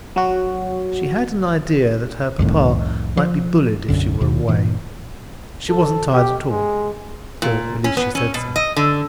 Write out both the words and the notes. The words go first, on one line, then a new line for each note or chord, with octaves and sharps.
She had an idea that her papa might be bullied if she were away: she wasn't tired at all, or at least she said so.
F#3 F#4
C2 F2 A2 D#3
F3
B1 F#2 D3
D#2 B2
G2 A#2 E3
A4
G4
G#3
A#2
C#4
B3
C#4
B2
D#5
D3